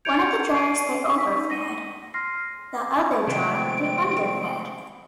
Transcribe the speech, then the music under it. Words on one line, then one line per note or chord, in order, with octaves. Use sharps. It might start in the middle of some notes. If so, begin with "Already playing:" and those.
One of the jars they overfed, the other jar they underfed.
G6 G#6 C#7 D7 F7
C7 D7 D#7
D#4 E6 B6
A#6 D#7
C6 F6 A#6 C7
C3 D#3 F3 G#3 A3 B3 C4 D7